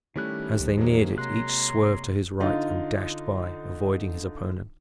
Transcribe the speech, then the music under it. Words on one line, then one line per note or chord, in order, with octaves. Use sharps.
As they neared it each swerved to his right and dashed by, avoiding his opponent.
D#3 G3 A3 C#4 E4 G4 F#6
C#2 F3
E2 F#3 G#3 A#3
C3 C#5 A#5 C6 F#6
D3 D#4 F4